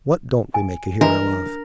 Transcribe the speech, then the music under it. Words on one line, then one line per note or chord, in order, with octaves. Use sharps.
What don't we make a hero of?
G#5
E3 G#3 D4 A#4 A#5